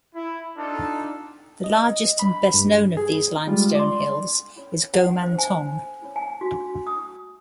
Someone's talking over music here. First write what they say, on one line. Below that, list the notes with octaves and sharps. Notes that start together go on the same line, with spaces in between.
The largest and best known of these limestone hills is Gomantong.
E4
D4 D#4 F4 A4
D#5
B5
G2
G#4
G3 G#3 F4
D5 C6
F#5
C5
G#5
G#5
F#4
D#6